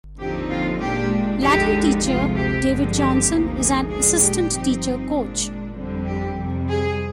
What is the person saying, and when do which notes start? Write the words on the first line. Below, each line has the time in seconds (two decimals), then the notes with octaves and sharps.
Latin teacher David Johnson is an assistant teacher coach.
0.19 D#2 D3 F3 C4 D#4 G4
0.50 F4
0.81 A#2 G#3 D4 G4
1.42 D#2 D3 F3 G#3 D#4 G4
2.04 D2 C3 F3 G#3 F4
2.35 G4
2.67 G2 D3 F3 G#3 C4
2.97 G4
3.28 D2 C3 F3 A#3 D#4
3.59 G#4
3.90 A#2 F3 G#3 D4 G#4
4.21 G4
4.52 G2 F3 C4 D#4
5.14 A#2 G#3 D4
5.76 F2 D3 G3 C4
6.07 G4
6.37 F2 C3 G3
6.68 G#4